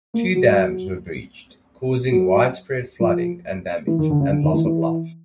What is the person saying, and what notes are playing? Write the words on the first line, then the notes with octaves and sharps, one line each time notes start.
Two dams were breached, causing widespread flooding and damage, and loss of life.
A#3
F#3
F#3
F3
E3
D#3
D3
C#3
D3
D#3
E3
E3